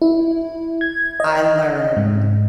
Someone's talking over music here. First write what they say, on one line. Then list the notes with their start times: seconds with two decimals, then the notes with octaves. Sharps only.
I learned,
0.02 E4
0.81 G#6
1.20 D#5
1.97 G#2